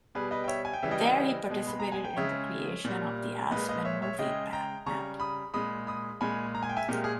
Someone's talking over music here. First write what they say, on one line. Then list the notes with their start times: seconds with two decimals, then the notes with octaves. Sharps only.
There he participated in the creation of the Aspen Movie Map.
0.15 B2 G3 G#4 B4
0.31 B4 D#5
0.44 G5
0.48 C#5 E5
0.65 G#5
0.73 G5
0.83 C#3 E3 G3 E5
0.91 D#5 G5
1.50 B2 G#3
1.67 B5
1.80 A#5
1.92 G#5
2.04 G5
2.17 C#3 G#3 C#5 E5
2.85 A#2 G3
3.51 A#2 G#3 B4 D#5
3.69 B4 D#5
3.85 C#5 E5
4.02 C#5 E5
4.19 C#3 G#3 D#5 G5
4.53 G5 A#5
4.86 C#3 G3 A#5 C#6
5.20 B5 D#6
5.54 A#2 G#3 B5 D#6
5.87 B5 D#6
6.21 A#2 G#3 G#5 B5
6.55 A#5
6.63 G#5
6.69 G5
6.77 E5 G#5
6.88 A#2 G#3 G4 A#4
7.04 G#4